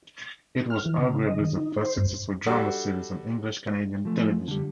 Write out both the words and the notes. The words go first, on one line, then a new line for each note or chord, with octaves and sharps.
It was arguably the first successful drama series on English Canadian television.
F6
E3
C#3
D#5
D#3
D#4
C5
G2
G3 D4 F#4 A4
F3 A3
D3 G3